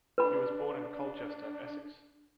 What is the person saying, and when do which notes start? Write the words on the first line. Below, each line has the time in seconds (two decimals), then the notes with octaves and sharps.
He was born in Colchester, Essex.
0.18 D4 B4 B5